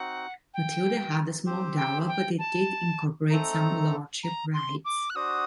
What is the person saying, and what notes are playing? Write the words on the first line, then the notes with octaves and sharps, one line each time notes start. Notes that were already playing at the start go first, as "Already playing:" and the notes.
Matilda had a small dower but it did incorporate some lordship rights.
Already playing: C4 D#4 F#4 F#5
G5
C4 G4 C5
G5
G5
A5
A3 C4 D#4 A4 A#5
A#5
C6
D6
F#6
D4 F#4 C5 F#5 D#6